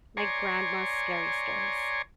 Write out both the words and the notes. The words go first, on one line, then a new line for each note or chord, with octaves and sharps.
my grandma's scary stories,
C#5 D5 G#5 A#5 C6 C#6